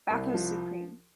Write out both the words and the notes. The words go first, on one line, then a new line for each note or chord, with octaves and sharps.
Bathos supreme.
C2
F3